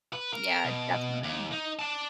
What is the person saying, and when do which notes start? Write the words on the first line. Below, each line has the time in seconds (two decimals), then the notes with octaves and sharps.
Yeah, definitely.
0.13 B4
0.33 A#4
0.65 B2
1.23 D#2
1.52 D#4
1.79 D5 A5